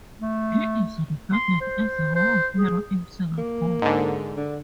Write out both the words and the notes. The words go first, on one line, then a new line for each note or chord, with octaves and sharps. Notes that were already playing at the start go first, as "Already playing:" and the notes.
He is regarded as a war hero in Singapore.
A3
C6
C5
C5
G#4
A#3
G#2 D3
D3